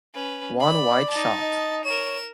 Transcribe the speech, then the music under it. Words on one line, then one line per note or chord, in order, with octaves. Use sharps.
One wide shot.
C#4 B4
D5 B5
D#4 A5
D#5
A#4 C#5 E7